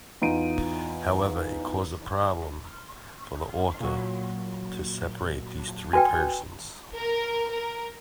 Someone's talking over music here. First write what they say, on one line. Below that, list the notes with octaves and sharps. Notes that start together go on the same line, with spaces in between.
However, it caused a problem for the author to separate these three persons.
E2 D#4 F4 D7 D#7
A#2 F#3
F#4 B4 G5 G#5
A#4
A#4